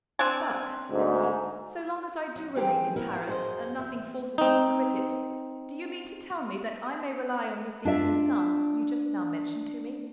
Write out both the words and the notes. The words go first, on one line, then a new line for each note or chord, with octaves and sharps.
"But," said he, "so long as I do remain in Paris, and nothing forces me to quit it, do you mean to tell me that I may rely on receiving the sum you just now mentioned to me?"
C4 D4 G#5
D2 G#2
F#3
D#3 E3 C4 G4 G#4
B3 E4 F#4 G4 A#4
F#2 F#3 G#4 C5 D#5
E2 E5
C4 D#4
D4 F4 E5